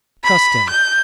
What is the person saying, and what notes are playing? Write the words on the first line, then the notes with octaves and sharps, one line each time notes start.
Trust him.
B5
G6